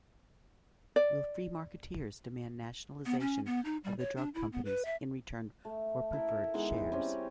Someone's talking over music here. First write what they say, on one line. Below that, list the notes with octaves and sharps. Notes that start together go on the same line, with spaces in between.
Will free-marketeers demand nationalisation of the drug companies in return for preferred shares?
D5
B3
C#4
B3
D#4
G3
C#5
D4
E4
B3
B4
E5
A3
E4 A4 A#4
D#3 E3 G#3 B3
E3 G4
G3 C4 C#4